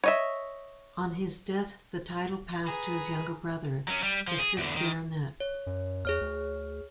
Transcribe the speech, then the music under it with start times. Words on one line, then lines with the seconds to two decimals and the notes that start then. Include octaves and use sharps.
On his death the title passed to his younger brother, the fifth Baronet.
0.04 C#5 D#5 E5
2.63 G#4 B4 A#5
3.88 F#3 C#4
4.03 G3
4.28 F3
4.39 G#4
4.58 E2 D3
4.77 D#3
5.40 C#5
5.67 F#2
6.05 E2 G#4 C#5 F6
6.21 D2